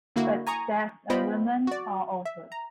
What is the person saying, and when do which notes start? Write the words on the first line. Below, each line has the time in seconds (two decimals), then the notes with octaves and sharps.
But that's a woman all over.
0.16 D3 A#3 E4 F#4
0.47 G#5 A#5 C#6 D#6
1.10 B3 F4 C5 D#5 G5 B5
1.67 F#4 D5
2.25 E5
2.52 A#5